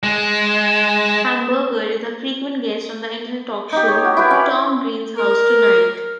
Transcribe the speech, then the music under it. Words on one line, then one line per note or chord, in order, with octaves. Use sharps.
Hamburger is a frequent guest on the internet talk show "Tom Green's House Tonight".
G#3 E7
D#4 G4
C#5
F#4
E4 G4 B4
C#4
A#4